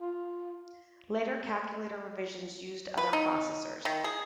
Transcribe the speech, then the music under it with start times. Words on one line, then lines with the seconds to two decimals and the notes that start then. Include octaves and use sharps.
Later calculator revisions used other processors.
0.01 F4
2.98 B4
3.13 D#4
3.85 D#3
4.04 G#4